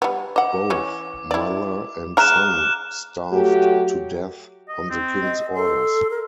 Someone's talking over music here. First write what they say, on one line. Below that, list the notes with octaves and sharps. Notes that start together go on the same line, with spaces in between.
Both mother and son starved to death on the King's orders.
G3 B3
D#5 F#5 D6
E3 C#4
E4 D5
G#3 E5 A#5 F6 F#6 E7
F#3 A3 F#4 G4
D#5
C4
D#5
A4 C6
A#4